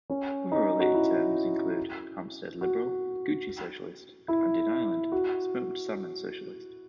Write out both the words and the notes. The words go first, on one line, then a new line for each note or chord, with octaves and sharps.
Other related terms include "Hampstead liberal, Gucci socialist", and in Ireland "smoked salmon socialist".
C#4
D#4
F#4
E4
F#4
E4
F#4